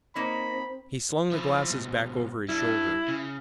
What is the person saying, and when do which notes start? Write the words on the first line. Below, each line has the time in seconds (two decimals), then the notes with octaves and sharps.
He slung the glasses back over his shoulder.
0.15 A#3 C4 D#4 C#5 B5
1.32 F3 E4
1.70 G#2 B2
2.49 G3 D4 E4
3.08 C#3